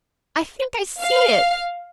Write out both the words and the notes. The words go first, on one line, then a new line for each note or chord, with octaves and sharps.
"I think I see it."
F5